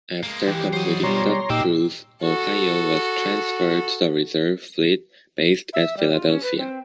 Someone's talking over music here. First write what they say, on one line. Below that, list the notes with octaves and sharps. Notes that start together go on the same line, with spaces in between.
After completing the cruise, "Ohio" was transferred to the Reserve Fleet based at Philadelphia.
G#3 A#3
E3 G4
F#3 C5 D#5
B2 G3 F4 C#5 A#5 C6
A#2 A#3 D#4 G4 G5 E6
F#4 A4
E5
G3
F4
C#4
B4
C4